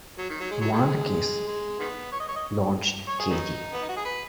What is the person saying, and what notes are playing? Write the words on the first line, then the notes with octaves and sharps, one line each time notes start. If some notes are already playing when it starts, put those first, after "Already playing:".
Wanagas launched k.d.
F#3
D#3
F#3
G#3
F#3
D#3 G#3
G#3
D#3 G#3 B3
C#5
D#5
C#5
D#5
C#5
G#4
F#3 B3 D#4
B3
D#4
F#4
G#4
B4